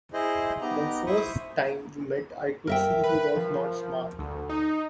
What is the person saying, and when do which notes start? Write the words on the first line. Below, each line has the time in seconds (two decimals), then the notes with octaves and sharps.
The first time we met I could see he was not smart.
0.13 E4 G#4 C5 D#5
0.61 B3 D#4 G4 D#5 A#5
1.06 E4 C5 B5 C#6 D#6
2.67 A#4 E5 G5
3.04 B4
3.36 F3
4.19 D2
4.50 D#4